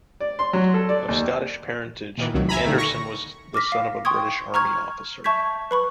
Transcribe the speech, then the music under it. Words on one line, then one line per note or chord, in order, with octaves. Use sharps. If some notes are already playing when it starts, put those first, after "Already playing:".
Of Scottish parentage, Anderson was the son of a British Army officer.
D5
C6
F#3
A4
D5
D#2
A#2 D#3 E3
C2 F2 A2 D#3 F#3
E5 G#5 A#5 B5
A#2 D3 D#3 A3 A#3
C#6 A#6
D6 F6 A#6 B6
F5
G5 C6 C#6 D#6 G#6
A#5 C#6 F6 G#6
E5 A5 C#6 G6 G#6 B6
B4 B5 C#6